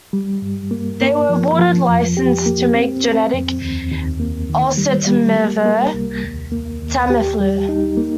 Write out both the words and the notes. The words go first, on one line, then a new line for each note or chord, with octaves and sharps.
They were awarded license to make generic oseltamivir - Tamiflu.
G3
G2
A#3
A#3
F3
F3
F2
G4
A#3
C4
C4
F2
D#2
D#2
A#3
D#3
G3
G3
A#3
A#3
C2
D#2
A#3
D#2
G4
G3
D#4
A#3